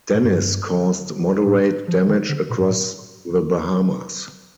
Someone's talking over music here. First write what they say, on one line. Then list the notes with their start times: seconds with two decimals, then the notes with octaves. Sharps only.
Dennis caused moderate damage across the Bahamas.
0.14 A2
0.24 G2
1.46 A2
1.88 F3
2.08 D#3
2.29 D3
2.50 A#2
2.60 G2
2.70 A2